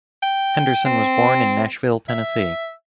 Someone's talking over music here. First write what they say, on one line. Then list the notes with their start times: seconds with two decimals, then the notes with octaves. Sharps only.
Henderson was born in Nashville, Tennessee.
0.23 G5
0.85 C4
2.09 E5